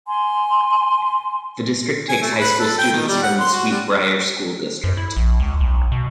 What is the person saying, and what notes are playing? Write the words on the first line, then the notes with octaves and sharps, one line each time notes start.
The district takes high school students from the Sweet Briar School District.
G#5 C6
G#5
A3
B4
A4
G5
D#3
G3
F#5
C6
F#4
G3
F#2
E4
A#1
C#2
B1
B2